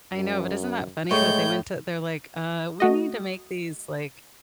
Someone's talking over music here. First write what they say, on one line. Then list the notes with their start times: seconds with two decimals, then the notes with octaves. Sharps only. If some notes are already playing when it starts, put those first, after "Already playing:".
I know, but isn't that funny that they went to they're like, "Uh, we need to make these, like,
0.14 F#2
1.11 A2 G#3 C#5 G6
2.80 A3 F#4 D#5